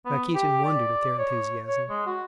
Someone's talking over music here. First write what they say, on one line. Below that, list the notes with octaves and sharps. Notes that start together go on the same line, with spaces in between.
Rakitin wondered at their enthusiasm.
B3
G4
D5
C#5
C#5
G#3
F#4